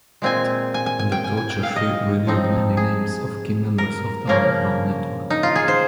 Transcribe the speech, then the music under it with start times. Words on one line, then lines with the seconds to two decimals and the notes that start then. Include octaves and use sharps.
Under torture she revealed many names of key members of the underground network.
0.22 A#2 G#3 C4 G#5
0.74 G#5
0.86 G#5
0.99 G#5
1.12 G5
1.24 G#5
1.37 G#5
1.50 G5
1.63 F5
1.76 D#5
2.27 F3 C4 D#4
2.77 G#4
3.78 A#4
4.27 C#3 F3 A#3 C#4 A#4
5.30 D#4
5.43 F4
5.55 G#4
5.68 C5